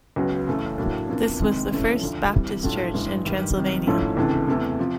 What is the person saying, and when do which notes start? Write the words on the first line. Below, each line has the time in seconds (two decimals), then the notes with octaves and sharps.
This was the first Baptist church in Transylvania.
0.16 C#2 C#3 F#3 B3
0.47 F#2 C#3 E3 A3
0.78 A2 F#3 A#3 D4
1.08 E2 C3 F3 A#3 D4
1.40 F2 C3 D#3 G#3
1.71 F2 C#3 E3 A3 C#4
2.01 D2 D3 F3
2.32 C3 E3 G3
2.63 A2 F#3 A3 D4 F4
2.94 G2 E3 G#3
3.24 G2 D#3 G3
3.55 C3 D#3 G3
3.86 G#2 F3 A3 C#4 E4
4.17 C#2 C3 E3 A3 D4
4.48 E2 C3 E3 A3
4.79 C3 F3